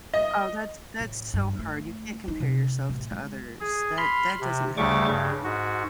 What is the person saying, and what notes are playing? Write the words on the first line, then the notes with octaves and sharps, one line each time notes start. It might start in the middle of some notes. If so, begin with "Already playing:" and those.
Oh, that's that's so hard. You can't compare yourself to others. That that doesn't help
D#5
A2
G2
A3
D#4
C3
A1
G#3
G#4
B5 C6 F6
C3
D2 C#3 G3 A3 C#6 D6
G2 C#3
G#2 F#4